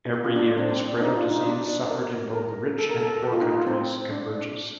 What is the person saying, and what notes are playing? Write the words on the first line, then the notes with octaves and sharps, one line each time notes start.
Every year, the spread of disease suffered in both rich and poor countries converges.
G4
F4
D4
D4
C4
C4
D4
D4
D#4
F4
D#4
D4
A#4
A#4
A4
A#4
A4
G4
F4
D#4
F4
C4
D4